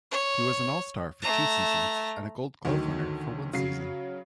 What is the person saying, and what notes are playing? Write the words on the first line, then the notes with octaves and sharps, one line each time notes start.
He was an All-Star for two seasons and a Gold Glove winner one season.
C#5
A3 A#5
D2 D#3 F#3
C#3 F#3 C7